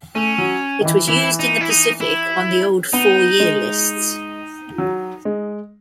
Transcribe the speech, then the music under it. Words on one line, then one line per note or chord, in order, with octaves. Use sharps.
It was used in the Pacific on the old four-year lists.
A3 C#4
F#3
D#3
E3
E3 E4
D#4
E4
D#4
E4
B3 D#4
G#3
F#3
G#3